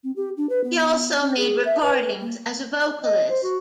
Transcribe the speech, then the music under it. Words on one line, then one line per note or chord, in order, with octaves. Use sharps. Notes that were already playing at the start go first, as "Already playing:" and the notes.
He also made recordings as a vocalist.
C4
G4
D4
B4
B3
C#4
G#4
E5
B4
A#3
D#5
C5
F#4